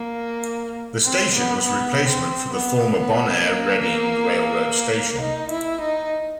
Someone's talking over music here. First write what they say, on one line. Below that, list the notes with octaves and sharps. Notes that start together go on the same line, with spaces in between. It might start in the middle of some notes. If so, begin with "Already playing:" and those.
The station was a replacement for the former Bonair Reading Railroad Station.
Already playing: A#3
C4
B3
B3
C4
B3
B3
A#3
D#4
E4
D#4